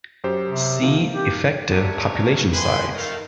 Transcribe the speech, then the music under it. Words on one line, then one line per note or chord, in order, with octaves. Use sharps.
See effective population size.
F#2 G4 C5
C3
D#3 F3 A#3
G4
F#3 A3 B3 D4 G4 C#5
D#2 C#4
F#2 D#3 F3 B4 G#5 B5 C6
A3 A#4 D#5 F5